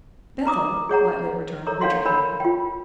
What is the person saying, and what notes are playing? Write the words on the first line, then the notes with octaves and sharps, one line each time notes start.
"Bethel!" lightly returned Richard Hare.
B4 A#5 D6 D#6
G#4 C#5 F#5 A#5
A4 A#4 C#5 A#5
D4 C#5 F5 F#5 C6
D4 A#4 C#5 B5
F4 G5